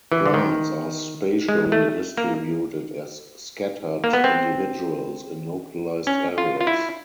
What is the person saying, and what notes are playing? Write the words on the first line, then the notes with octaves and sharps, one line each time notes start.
Plants are spatially distributed as scattered individuals in localised areas.
E3
D3
D#3
G#3
A3
A#3
A#3
B3
C4
C#4
F4
F4
E4